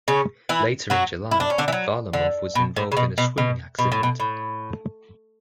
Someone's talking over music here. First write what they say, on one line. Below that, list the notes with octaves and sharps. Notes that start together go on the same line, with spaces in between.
Later in July, Varlamov was involved in a swimming accident.
C#3 C#4
E3 E4
F#3 F#4
E4
D4
C#4
D3 D4
E3
F#3
D3
B2
A2
C#3
B2
B2
B2
B2
A2
B2
A2